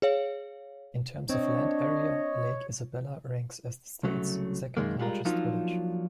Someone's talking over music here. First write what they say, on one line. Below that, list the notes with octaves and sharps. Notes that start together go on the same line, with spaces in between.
In terms of land area, Lake Isabella ranks as the state's second largest village.
G#4 C#5 F5
C4 D4 C#5 D#5
C2 C#3 F#3 A3
F#2 D#3 G#3 A#3
G3 G#3 F4 A#4
F3 F#3 A#3 D4 D#4 F4